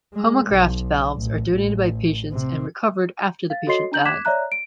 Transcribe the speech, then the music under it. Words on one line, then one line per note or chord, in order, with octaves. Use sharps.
Homograft valves are donated by patients and recovered after the patient dies.
G#3
B1
A1
A1
C3
F5 A6
F#4 A4 C#5 D#5 C6 C7
D4 A#5 G6 F#7
D6 F#6 G#6 B6 E7
C#5 D5 E5 A#5 F#6
D7